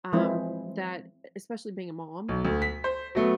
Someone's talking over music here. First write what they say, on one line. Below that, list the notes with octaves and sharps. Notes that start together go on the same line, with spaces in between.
um, that, e especially being a mom,
E3 F3 G#3 C4 E4
B1
D2
B6
C5
F#3 A3 B3